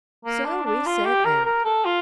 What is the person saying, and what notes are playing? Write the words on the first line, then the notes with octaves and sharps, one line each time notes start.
So we set out.
A#3
D4
D4
F4
G4
A#4
A#4
A4
F4